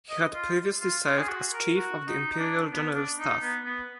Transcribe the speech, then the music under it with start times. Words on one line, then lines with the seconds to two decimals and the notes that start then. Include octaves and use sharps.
He had previously served as Chief of the Imperial General Staff.
0.10 D#5
0.34 F4
0.81 F4
1.05 F4
1.18 G#4
1.28 F#4
1.53 A#4
1.76 F#4
2.07 D#4
2.32 D#4
2.39 D4
2.71 B3
2.95 D4
3.19 D#4
3.42 B3
3.65 B3